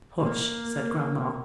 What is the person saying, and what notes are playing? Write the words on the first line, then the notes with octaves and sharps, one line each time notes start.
"Hush!" said grandma.
A#3